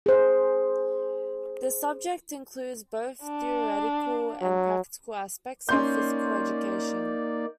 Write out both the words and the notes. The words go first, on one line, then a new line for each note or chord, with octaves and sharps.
This subject includes both theoretical and practical aspects of Physical Education.
G#4 C5
D4
F#3
A#3 C#4 D#4 D5 C6 G6